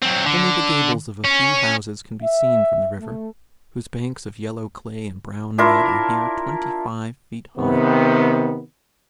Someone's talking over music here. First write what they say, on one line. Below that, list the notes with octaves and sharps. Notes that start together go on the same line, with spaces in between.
Only the gables of a few houses can be seen from the river, whose banks of yellow clay and brown mud are here twenty-five feet high.
F#3 C4
D3
C#4
E5
A3
D4 E4 F4 A#4
C3 D#3 B3